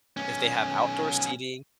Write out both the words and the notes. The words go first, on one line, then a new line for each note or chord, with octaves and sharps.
If they have outdoor seating
B1 C#4